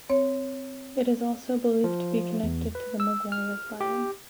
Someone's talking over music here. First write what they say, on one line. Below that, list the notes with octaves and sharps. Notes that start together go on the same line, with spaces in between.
It is also believed to be connected to the Maguire clan.
C4 C#5
F3
E2
B4
E6
F6
G4